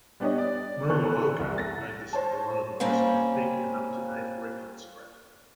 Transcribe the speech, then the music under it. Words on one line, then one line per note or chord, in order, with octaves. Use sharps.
Muraoka made this into the most complete and up-to-date reference grammar.
G3 B3 D4 G4 C#5 D#5
D5
E3 B3 A4 F#6
C2
A6 A#6
C5 C#5 A5
G3 A#3 C4 C#4